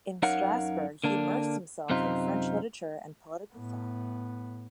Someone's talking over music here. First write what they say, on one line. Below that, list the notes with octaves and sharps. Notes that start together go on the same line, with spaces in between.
In Strasbourg, he immersed himself in French literature and political thought.
F#2 D#4 A#4 C#5 F5 F#5
D3 A#3 D4
F#2 C3 C4 D#4 F4
A2 B3